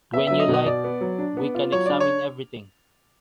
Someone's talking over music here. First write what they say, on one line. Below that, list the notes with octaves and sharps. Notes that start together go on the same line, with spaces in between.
When you like, we can examine everything.
B3 E5
F#3 E5
D#5
B2
D#5
B2 D5
B3
F#3
D4
B3
F4
F#3 C#5
D4 D5
C#5